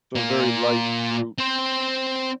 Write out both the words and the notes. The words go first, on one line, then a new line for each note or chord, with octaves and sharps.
so very light fruit,
A#2 A#3
C4 C5